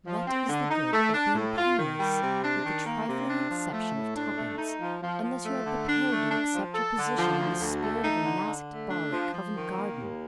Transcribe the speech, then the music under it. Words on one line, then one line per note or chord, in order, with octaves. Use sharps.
What is the good of being penniless--with the trifling exception of twopence--unless you are prepared to accept your position in the spirit of a masked ball at Covent Garden?'
F3
C4
D3
D#4
A3
D4
A2
F4
D#3
G3
C3
D4
D#3
A#3
C3
D4
F3
A3
A2
D4
A3
D#4
F3
F3
F3
A3
D3
D4
A3
D4
F3
A4
D3
F3
D2
D2
A3
D#4
D3
D3
A3
D4
F3
F3
D#3
A#3
D#2